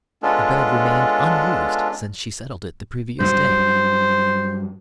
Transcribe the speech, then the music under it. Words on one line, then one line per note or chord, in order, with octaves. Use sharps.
The bed remained unused since she settled it the previous day.
G#3 B3 C#4 D4 F4 A4
G2 F#3 C5